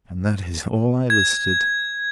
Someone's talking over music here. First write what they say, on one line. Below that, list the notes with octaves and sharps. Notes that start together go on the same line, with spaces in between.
And that is all I elicited.
G#6